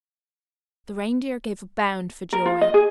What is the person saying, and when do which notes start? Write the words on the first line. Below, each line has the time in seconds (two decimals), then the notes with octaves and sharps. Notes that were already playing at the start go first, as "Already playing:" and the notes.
The Reindeer gave a bound for joy.
2.33 A#4
2.46 F4
2.61 D#5
2.74 G#4